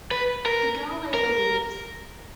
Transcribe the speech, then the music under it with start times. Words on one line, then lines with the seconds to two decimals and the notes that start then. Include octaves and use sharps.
The girl later leaves.
0.11 B4
0.46 A#4
1.14 A#4